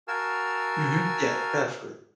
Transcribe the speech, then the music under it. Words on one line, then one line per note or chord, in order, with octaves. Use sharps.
Mhm, yeah, definitely.
F#4 A#4 F5 G#5 A5 E6